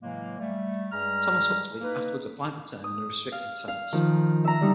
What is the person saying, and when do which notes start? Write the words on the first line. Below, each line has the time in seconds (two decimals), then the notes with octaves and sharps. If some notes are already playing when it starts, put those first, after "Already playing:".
Thomas Huxley afterwards applied the term in a restricted sense.
0.02 A2 C#3 E3 F#3 G#3 A#3
0.39 G3 A3
0.93 G2 G3 G#3 G#4 A#5 F6
1.81 A#3 D#4 B4
2.84 D#6
3.32 F5
3.68 F5
3.93 D#3 F3
4.44 E5 A#5
4.61 D3 G3 D#4